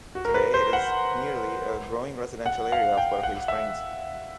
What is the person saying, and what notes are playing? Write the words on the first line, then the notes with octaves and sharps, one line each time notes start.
Today, it is merely a growing residential area of Berkeley Springs.
F#4
A#4
B4
C5
F#5
F#5
F5
G5
F#5
E5